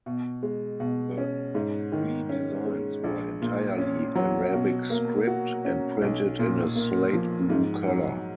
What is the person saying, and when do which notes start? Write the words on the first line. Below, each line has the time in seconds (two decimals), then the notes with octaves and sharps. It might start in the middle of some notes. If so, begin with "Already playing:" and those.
The three designs were entirely Arabic script, and printed in a slate blue color.
0.06 B2
0.43 G#3
0.80 B2
1.18 C#4
1.55 G#2
1.92 D#3
2.29 C#4
2.66 G#3
3.04 A#1
3.42 A#2
3.78 C#4
4.15 F#3
4.53 B2
4.90 A#3
5.27 F#4
5.65 C#4
6.01 B1
6.39 A#2
6.75 A#3
7.13 F3
7.50 G#2
7.87 F#3